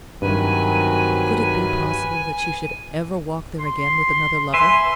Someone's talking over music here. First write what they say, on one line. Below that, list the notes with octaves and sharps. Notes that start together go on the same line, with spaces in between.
Could it be possible that she should ever walk there again with another lover?
G2 C3 D#3 F#3 B4 G#5
C6
B4 E5 G#5 C6